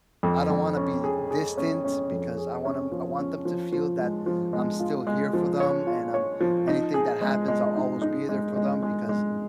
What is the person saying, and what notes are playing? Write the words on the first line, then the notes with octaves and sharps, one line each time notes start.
I don't wanna be distant, because I want 'em I want them to feel that I'm still here for them, and, um, anything that happens I'll always be there for them, because
F2
F2
C#4
G#4
G#4
C#4
C#4
F2
G#4
C#4
F3
C#4
F3
F3
G#3
F3
G#3
F4
G#3
F3
C#5
F4
C#5
F3
D#4
G#4
G#3
G#3
D#4
D#4
G#3
G#3
G#3
G#3